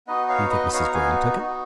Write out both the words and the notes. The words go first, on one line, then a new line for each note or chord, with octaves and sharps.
"Do you think Mrs. Vrain took it?"
B3 D#4 F#4 B4 D#5
C#5 F5
B4 D#5
B3 D#4 F#4 C#5 F5
A#5
F5 G#5
B3 D#4 F#4